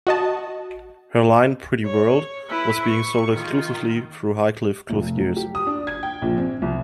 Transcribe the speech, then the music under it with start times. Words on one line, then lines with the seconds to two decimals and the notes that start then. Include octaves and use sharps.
Her line, Pretty World, was being sold exclusively through Highcliffe Clothiers.
0.07 F#4 D#5 A5
1.85 C#5
2.49 E4 B4
2.84 C#6
3.32 D#3 F4
4.90 F1
5.18 F#3
5.37 G4
5.55 D#6
5.67 D4
5.87 G#6
6.03 G5
6.22 A#1
6.38 C4
6.62 C2